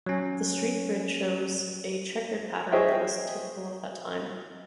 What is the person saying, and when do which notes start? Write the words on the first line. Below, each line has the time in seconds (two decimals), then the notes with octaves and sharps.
The street grid shows a chequered pattern that was typical of that time.
0.06 F#3 C#4
2.72 G#4 C5 C#5 D#5 E5 G5